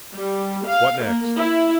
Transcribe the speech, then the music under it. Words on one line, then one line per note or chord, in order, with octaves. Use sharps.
"What next?"
G3
F5
A#3
E4